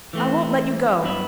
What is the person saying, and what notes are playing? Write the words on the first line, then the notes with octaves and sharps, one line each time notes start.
I won't let you go!
E3 A3 C4
G2 F#3 B3 E4